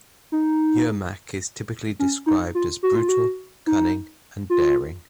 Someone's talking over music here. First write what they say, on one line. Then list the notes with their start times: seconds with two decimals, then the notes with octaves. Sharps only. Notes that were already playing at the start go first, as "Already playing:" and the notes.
Yermak is typically described as brutal, cunning, and daring.
0.32 D#4
1.99 C#4
2.26 D#4
2.55 F4
2.83 F#4
2.96 F4
3.09 F#4
3.67 D#4
4.50 F4